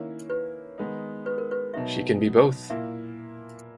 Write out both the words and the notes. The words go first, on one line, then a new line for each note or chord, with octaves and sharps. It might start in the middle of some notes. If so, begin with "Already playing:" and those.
She can be both.
Already playing: D#3 A#3 C#4 E4
B4
D#3 G#3 B3 D#4
B4
A#4
B4
B2 F#3 B3 D#4 E5
A#2 A#3 E4 E5